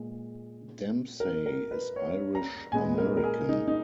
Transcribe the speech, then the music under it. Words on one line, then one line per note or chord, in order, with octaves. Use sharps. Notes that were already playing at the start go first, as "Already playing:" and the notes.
Dempsey is Irish American.
Already playing: A#2 G#3 B3
A#4
A#4
B4
C#5
A#5
A#2 G#3 B3 G#5
A#4
A#4
G#4
D#4
D#4